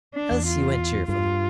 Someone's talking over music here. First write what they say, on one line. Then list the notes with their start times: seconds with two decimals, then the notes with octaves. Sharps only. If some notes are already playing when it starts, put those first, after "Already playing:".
Elsie went cheerfully.
0.14 D4
0.31 E2
0.46 F4
1.08 G2 F4